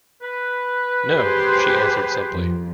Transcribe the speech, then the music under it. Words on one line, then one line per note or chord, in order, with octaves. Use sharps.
"No," she answered simply.
B4
G4 G#4 C5
F2